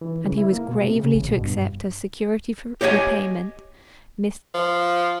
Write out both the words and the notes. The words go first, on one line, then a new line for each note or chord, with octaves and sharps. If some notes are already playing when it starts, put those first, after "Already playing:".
And he was gravely to accept as security for repayment--Mr.
E3
C#3
E4
A#3
B2
C3
C#3
A1
B2
G2
G4 C#5 D#5 E5 G#5
F3